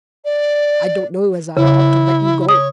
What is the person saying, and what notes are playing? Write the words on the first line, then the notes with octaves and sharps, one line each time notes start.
"I don't know as I ought to let you go."
D5
C#3 E4
C#5 D#6